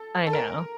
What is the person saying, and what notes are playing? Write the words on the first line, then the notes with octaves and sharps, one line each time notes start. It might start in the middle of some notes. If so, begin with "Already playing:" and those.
I know.
Already playing: A4
A4
A#4